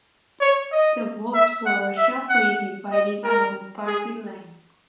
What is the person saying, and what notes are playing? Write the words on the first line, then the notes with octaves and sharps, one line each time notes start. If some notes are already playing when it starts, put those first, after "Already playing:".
The votes were sharply divided along party lines.
C#5
D#5
E5
F#5
E5
F#5
D#5
A#4
G#4